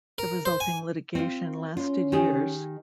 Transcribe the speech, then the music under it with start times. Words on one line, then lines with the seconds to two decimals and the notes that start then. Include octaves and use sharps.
The resulting litigation lasted years.
0.18 A#4
0.45 C5
0.60 G#5
1.15 C4 F4
1.77 C#4 F4
2.12 D#3 G4 G#4